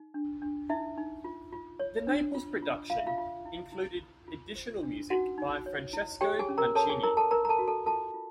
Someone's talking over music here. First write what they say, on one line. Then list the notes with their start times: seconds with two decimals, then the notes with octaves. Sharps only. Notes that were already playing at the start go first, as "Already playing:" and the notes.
The Naples production included additional music by Francesco Mancini.
Already playing: D#4
0.14 D4
0.42 D4
0.69 D#4 E4 E5
0.97 D#4
1.24 F4
1.53 F4
1.79 C#5
2.07 D4
2.35 F4
2.62 F4
2.90 F4 F5
2.98 E5
3.07 F4 F5
3.18 F4
3.45 E4
3.72 E4
4.00 F4
4.28 F4
4.56 C5
4.83 D4
5.10 D#4 F#4 F#5
5.38 D#4
5.66 C#5
5.93 E4
6.21 G4 C#5 G5
6.39 G#4 G#5
6.49 C#4
6.58 A#4 A#5
6.75 A4 C#5 A5
6.89 G#4 G#5
7.03 E4 A#4 A#5
7.17 A4 A5
7.31 A#4 B4 A#5
7.45 A#5
7.49 A4 A5
7.59 F#4
7.67 A4 A5
7.86 F4 A4 A5
8.14 F4